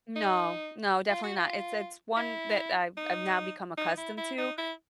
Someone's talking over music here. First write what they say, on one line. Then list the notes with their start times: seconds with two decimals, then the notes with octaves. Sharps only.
No no, definitely not, it's it's one that I've I've now become accustomed to,
0.16 D#4
1.10 F4
1.23 F#4
1.37 F4
2.17 E4
2.97 D#4
3.77 D#4
3.97 E4
4.17 E4
4.38 D#4
4.58 E4